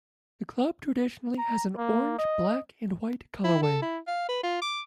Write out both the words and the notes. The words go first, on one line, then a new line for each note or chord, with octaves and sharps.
The club traditionally has an orange, black and white colourway.
A#5
A#3
D#5
E4
A4
E4
F5
B4
F4
D6